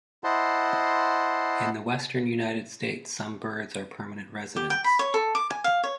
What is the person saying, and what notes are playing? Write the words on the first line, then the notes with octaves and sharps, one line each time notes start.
In the western United States, some birds are permanent residents.
E4 C5 D#5 F#5 A5 C6
G4
G5
B5
C#5
A4
D6
G#5
F5
C#5